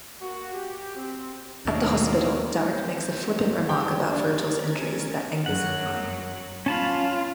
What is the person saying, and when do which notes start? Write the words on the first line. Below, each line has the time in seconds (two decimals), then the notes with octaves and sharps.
At the hospital, Daric makes a flippant remark about Virgil's injuries that angers Han.
0.20 A#3 F#4
0.53 G4
0.95 C4
1.65 D#2 B2 D#3 F#3 A#3 D4
2.62 C4 G6
3.00 F#2 C#3 F#3
3.69 G4 G5
4.12 D4 A#4 G#6 A6
4.69 C#4
5.46 F#2 F#3 F#5
6.66 C#4 F4 A5 B5